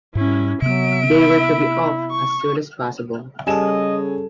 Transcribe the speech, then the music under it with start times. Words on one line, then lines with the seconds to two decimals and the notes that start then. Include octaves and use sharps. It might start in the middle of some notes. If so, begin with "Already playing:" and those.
They were to be off as soon as possible.
0.15 G#2 G3 C#4 E4
0.62 C3 F#3 B3 E5 D7
1.11 E4
2.11 C#6
3.47 C#3 G3 A4 D#5 G#5 E7